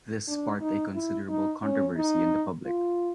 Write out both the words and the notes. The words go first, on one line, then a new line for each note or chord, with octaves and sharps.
This sparked a considerable controversy in the public.
D4
D#4
E4
D#4
C#4
D#4
F4